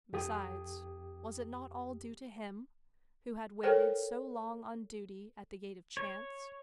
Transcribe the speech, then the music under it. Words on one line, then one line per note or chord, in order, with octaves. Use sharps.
Besides, was it not all due to him, who had waited so long on duty at the gate of chance?
F2 G4 D#6
A4 A#4 C5 C#5 G5
C#5